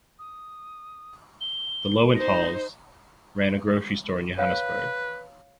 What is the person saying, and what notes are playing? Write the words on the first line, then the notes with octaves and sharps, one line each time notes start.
The Loewenthals ran a grocery store in Johannesburg.
D#6
G7
D#4 C5 A#6
B4 C#5 F5